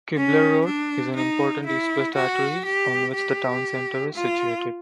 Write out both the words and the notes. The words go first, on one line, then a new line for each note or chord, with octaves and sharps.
Kibler Road is an important east-west artery on which the town center is situated.
C#4
D4
D#4
E4
F#4
G4
G4
F4